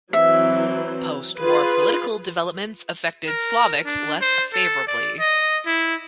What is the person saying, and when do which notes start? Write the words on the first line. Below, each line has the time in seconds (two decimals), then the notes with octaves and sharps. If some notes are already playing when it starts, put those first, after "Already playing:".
Postwar political developments affected Slovaks less favorably.
0.13 E3 F#3 C4 E5
1.37 F4 G#4 B4
3.27 A#4
3.85 D4
4.21 C5
4.53 A4
4.87 D5
5.19 D#5
5.66 E4